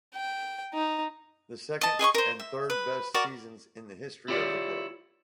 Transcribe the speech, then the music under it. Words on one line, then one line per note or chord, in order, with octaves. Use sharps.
The second and third best seasons in the history of the club.
G5
D#4
D#5 A5
G#4 D#5 B5 C#6
A#4 C5
E5
B4
F#4 A#4 D5
E4 F4 G4 C#5 D5